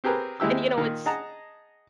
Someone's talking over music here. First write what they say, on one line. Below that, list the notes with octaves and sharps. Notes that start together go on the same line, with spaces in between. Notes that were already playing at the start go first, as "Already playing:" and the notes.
and you know, it's
C4 G4 G#4 A#4 B4
D#2 G#3 E4 G4 E6
A#2 D#3
G#4 D#5 F#5 A5 A#5